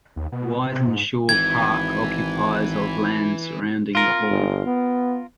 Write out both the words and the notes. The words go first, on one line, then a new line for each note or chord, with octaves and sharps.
Wythenshawe Park occupies of land surrounding the hall.
D#2
B2
C3
G#2
G#1 E3 G#6
F4 A#4
G1
B3